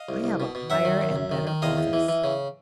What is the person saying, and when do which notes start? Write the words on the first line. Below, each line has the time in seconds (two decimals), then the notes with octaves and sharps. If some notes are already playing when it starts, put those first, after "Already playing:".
I have a higher and better office.
Already playing: D#5 F5
0.09 C2
0.24 C2
0.40 B2
0.55 B2
0.70 F#2 E5 F#5
0.85 D#3
1.01 F#2
1.16 F#2
1.31 D#3
1.47 D#3
1.62 E2 D#5 F5
1.77 E2
1.93 E3
2.08 E3
2.24 C#3